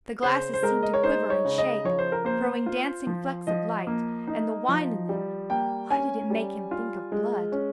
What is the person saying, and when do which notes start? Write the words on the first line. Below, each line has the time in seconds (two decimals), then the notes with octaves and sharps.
The glasses seemed to quiver and shake, throwing dancing flecks of light; and the wine in them--why did it make him think of blood?
0.23 C#3 C5
0.54 C5
0.63 G#3 A#4
0.83 D#5
0.94 C#5
1.03 D#4 C5
1.30 C#5
1.45 C#3
1.58 D#5
1.85 F3 C#5
1.99 C5
2.12 A#4
2.25 A#3 C5
2.66 F4
3.07 F3
3.47 F3 D#5
3.87 A#3
4.27 D#4
4.69 F3
5.09 G3
5.50 A#3 G5
5.90 C#4 G#5
6.30 G3
6.71 F4
7.12 G#3
7.52 C#4